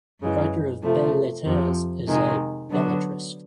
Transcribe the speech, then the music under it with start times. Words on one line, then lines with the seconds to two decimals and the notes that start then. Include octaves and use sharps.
A writer of "belles-lettres" is a belletrist.
0.21 F#2 C#3 E3 G#3
0.83 C3 F3 A3
1.45 F2 C3 F3
2.08 C3 D#3 G#3
2.70 D3 F#3 B3 D4 F#4